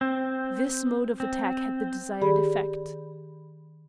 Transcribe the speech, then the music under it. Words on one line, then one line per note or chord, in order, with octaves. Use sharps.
This mode of attack had the desired effect.
C4
C4
D#3 G4 G#4 D5 B5